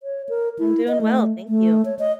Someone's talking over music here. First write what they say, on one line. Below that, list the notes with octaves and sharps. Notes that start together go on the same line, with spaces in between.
I'm doing well. Thank you.
C#5
A#4
E4
D#5
A3
A3
C#5
D#5